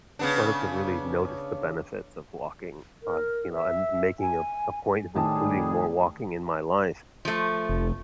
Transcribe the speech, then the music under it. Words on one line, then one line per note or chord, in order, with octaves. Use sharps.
started to really notice the benefits of walking on, you know, and making a a point of including more walking in my life,
C#3 B3 D4
A#4
E5
G#5
A2 D#3 G3 D4 G#4 A5
F3 A3
F1